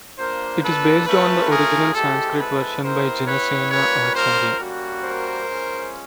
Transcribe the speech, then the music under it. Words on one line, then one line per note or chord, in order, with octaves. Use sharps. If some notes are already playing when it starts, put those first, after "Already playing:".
It is based on the original Sanskrit version by Jinasena acharya.
A#3 D4 F4 A#4 C5
A4 B4
A3 C#4 F4 A4 B4
G#4 A#4
G#3 C4 E4 G4 A4
A4 B4
B3 E4 G4 A#4 C5
B4 C#5
G3 A#3 C#4 F4 B4 C#5
A#4 C5
G3 A#3 C#4 F#4
A#4 C5
G#3 C#4 F4